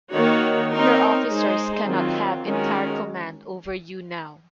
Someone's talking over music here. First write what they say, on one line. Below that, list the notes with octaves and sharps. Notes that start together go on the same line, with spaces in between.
Your officers cannot have entire command over you now.
D#3 A#3 D#4 F#4 C#5
C4 D#4 A#4 C#5
G#3 D#4 G#4 C5
D#3 F#3 C4 F4
D#3 G#3 C#4 F#4 A#4